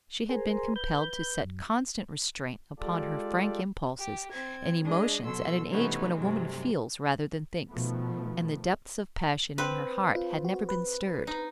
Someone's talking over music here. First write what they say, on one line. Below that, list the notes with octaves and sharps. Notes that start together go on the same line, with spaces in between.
She had been compelled to set constant restraint upon her frank impulses and emotions at an age when a woman feels rather than thinks, and the depths of passion in her heart had never been stirred.
G#4 A#4 C5
B4 G6
F#2
G#3 F4 G4 A4 D5
G4
C4 G#6
G#3 D4 G#4 D#5
B2 F#3 A4 C6 E6
C3 E3 A3 B3 C#4 D#4
G2 C3 F#3 G#3 A3
B2 D#3 F3 A3 B3
C4 B4
F4
F#4
B4
D#4